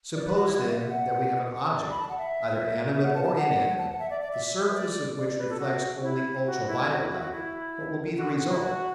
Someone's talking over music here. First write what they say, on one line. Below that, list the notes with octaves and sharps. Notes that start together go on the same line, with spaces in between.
Suppose then, that we have an object, either animate or inanimate, the surface of which reflects only ultra-violet light, what will be the result?
D5
B4
F#4
E4
F#4
E5
E5
F#5
D5
B5
A5
F#5
E5
E5
F#5
A5
A5
F#5
A5
F#5
E5
D5
D5
E5
B4
D5
D5
D5
B4
A4
F#4
E4
F#4
E4
F#4
E4
F#4
F#4
E4
F#4
F#4
E4
F#4